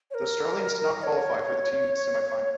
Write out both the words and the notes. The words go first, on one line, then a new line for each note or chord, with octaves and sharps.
The Australians did not qualify for the team semifinal.
C#5
A#4
D#5
C#5